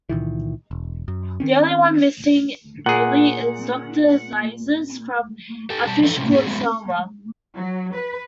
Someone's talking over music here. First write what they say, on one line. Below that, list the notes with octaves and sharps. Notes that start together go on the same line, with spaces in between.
The only one missing really is "Doctor Zaius" from "A Fish Called Selma".
C#2 A#2 D#3 E3
E1
F#2
D#3 C4 C#4
A#2 G#4 F#5
G4 A4
B2 G3 A5
E3 F3 D#4 A4
A2 C3 G#3 C#4
A2 G#4
F#3 G#3 A3 B3
F#3
B4